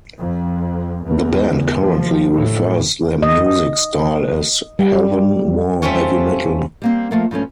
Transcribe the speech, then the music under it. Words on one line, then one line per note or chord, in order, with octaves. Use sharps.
The band currently refers their music style as heathen war heavy metal.
F2
E2
F3
A2
D#5
G3
G3 A3 C4 C#4 F4 C#5
G3 A#3 C4
F3 A3 A#3
G2 F3 A3 C#4